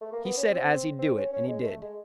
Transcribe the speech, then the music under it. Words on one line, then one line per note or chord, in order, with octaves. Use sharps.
He said as he'd do it, and he did.
A3
A#3
B3
C#4
C4
C4
C#4
C#4
G#3
A3
G#3